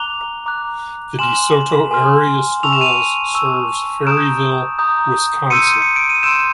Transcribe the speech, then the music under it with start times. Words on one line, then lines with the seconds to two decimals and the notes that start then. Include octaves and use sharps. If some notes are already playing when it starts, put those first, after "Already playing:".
The De Soto Area Schools serves Ferryville, Wisconsin.
Already playing: A#5 D6 F#6 F7 G7
0.46 A#5 D6 F#6
1.19 G#5 C6 F6 E7 F#7
1.91 G#5 C6 F6
2.63 A5 C#6 E6 F7
2.73 E7
2.81 D#7 F7
3.34 A5 C#6 E6
4.07 A#5 D#6 G6 D7 E7
4.79 A#5 D#6 G6
5.50 C6 E6 G6 C#7 D#7
5.82 C#7
5.96 D7
6.09 D#7
6.23 C6 E6 G6 D7 E7